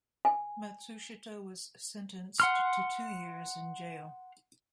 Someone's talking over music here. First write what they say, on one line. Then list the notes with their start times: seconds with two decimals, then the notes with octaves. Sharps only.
Matsushita was sentenced to two years in jail.
0.25 G#5
2.40 F#5 C6 F6